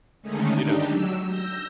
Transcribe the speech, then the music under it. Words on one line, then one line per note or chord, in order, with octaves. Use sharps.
you know,
D3 D#3 G#3 A3 C#4 D#4
D4 D#4 G4
F#3 E6
E6 G6 A#6